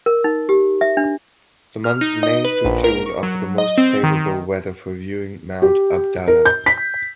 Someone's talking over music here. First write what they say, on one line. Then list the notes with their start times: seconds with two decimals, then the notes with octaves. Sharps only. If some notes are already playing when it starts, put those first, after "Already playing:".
The months May through June offer the most favorable weather for viewing Mount Abdallah.
0.06 A#4
0.24 D#4
0.49 G4
0.81 E5
0.97 D4
1.84 F6
2.01 D#4
2.23 D#5
2.45 B4
2.65 A#1
2.84 A#4
3.06 C#6
3.23 F#3
3.58 D#5
3.78 C4
4.03 D#3
5.62 G4
6.28 A#4
6.45 G6
6.66 B6